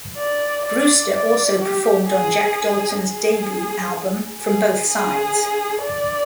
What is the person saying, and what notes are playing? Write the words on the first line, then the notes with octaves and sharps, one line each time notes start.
Brewster also performed on Jac Dalton's debut album "From Both Sides".
D5
D5
D5
G4
G#4
G#4
G#4
G#4
D5